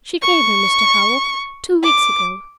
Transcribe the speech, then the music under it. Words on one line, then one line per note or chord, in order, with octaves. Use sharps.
She came here, Mr. Howell, two weeks ago.
C#6
D6